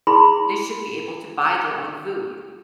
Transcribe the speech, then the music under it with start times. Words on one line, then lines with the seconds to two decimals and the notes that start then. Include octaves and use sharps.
They should be able to buy their own food.
0.07 E4 G#4 B5 C6